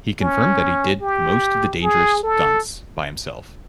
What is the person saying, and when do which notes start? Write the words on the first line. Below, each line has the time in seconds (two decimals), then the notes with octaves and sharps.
He confirmed that he did most of the dangerous stunts by himself.
0.22 C#4
1.02 G4
1.83 G#4
2.23 A4